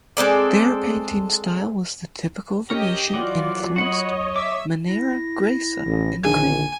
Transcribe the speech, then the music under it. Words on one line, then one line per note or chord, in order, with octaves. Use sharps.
There painting style was the typical Venetian influenced maniera greca in Crete.
G#3 C4 A4 D5
C#4 G4 A#4 C#5 D#5
E3 F#3 F4 F#4 D5
F#4 C#5 D#5 F#5 B5
E5 D6
E4 A#6
A1
A#1 D3 D#3 D4 G#4 G#5 G#6